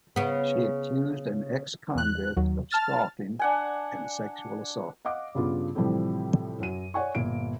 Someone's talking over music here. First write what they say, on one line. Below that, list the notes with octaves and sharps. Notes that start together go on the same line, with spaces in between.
She accused an ex-convict of stalking and sexual assault.
C#3 B3
E2 F#6
D#2 F#3
A5 F6 A6
D4 F#5 G#5
D#5 F5 F#5 D6
G2 C#3 B3 F4
A2 C3 E3 F3 G3
F#2 F#3 D#7
C#5 D5 F#5 G#5 C#6
G1 A#2 D7